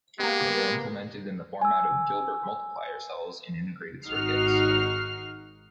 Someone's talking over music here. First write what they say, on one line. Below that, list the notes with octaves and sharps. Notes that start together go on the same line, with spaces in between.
They are implemented in the format of "Gilbert multiplier cells" in integrated circuits.
G#3 A#3 B3 G4
G#5 E6
G#1 D#4 F#4 F6 C7